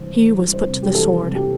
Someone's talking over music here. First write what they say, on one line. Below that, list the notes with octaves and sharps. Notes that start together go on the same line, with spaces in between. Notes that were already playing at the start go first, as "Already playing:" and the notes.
He was put to the sword.
Already playing: C2 E3 G3 C5
E3
G3
C5
C3
G4
E3 A4
C3
G4